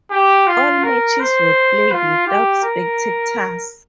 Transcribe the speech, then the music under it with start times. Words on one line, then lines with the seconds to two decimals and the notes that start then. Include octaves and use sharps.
All matches were played without spectators.
0.11 G4
0.47 F4
0.83 A#4
1.20 C5
1.92 F4
2.27 G4
2.63 A#4